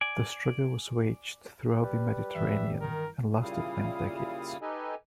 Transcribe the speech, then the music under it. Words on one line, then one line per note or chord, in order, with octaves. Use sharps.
This struggle was waged throughout the Mediterranean and lasted many decades.
D5 G#5
G3 B4
G2 E3 D#5 E5
D#3 A#4
A#2 C#3 G3 E4 F5 D#6
D#4 G4 A4 B4 D#5 G#5